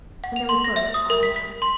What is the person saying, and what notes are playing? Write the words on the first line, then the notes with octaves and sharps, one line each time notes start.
And they were both tired out.
F#5
F7
C6
A#6
E5
D#6
A#4
B6
B6
C6